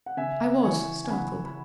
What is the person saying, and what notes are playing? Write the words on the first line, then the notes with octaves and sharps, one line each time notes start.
'I was startled.
F#5
C#3 E5 G#5
E3 G#5 C#6
G#5
C#3 F#5 B5
B5